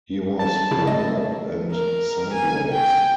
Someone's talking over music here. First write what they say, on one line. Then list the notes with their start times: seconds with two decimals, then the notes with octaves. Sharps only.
He was flung up and sideways.
0.39 A5
0.71 C#3 E4 G#4
0.87 D#5 E5
1.71 A#4
2.33 G#5
2.72 G5